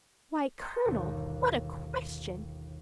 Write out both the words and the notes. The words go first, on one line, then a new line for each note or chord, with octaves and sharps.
Why, colonel, what a question!
G5 A5 A#5 C6 C#6 D#6
G1 D#2 B2